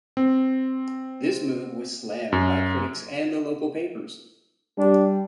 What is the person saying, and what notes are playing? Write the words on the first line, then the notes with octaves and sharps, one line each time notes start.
This move was slammed by critics and the local papers.
C4
F#2
G3 D4